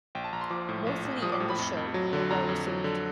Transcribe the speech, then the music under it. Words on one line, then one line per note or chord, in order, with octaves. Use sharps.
Both Lee and the show were well received.
A#1 G5
A5
A#1 A#5
C6
F3 D6
A2
A#1
A#1
F3 D#6
D6
A2
B5
F2
F2
F#3
D3
F2 A#5
F2
F#3
D3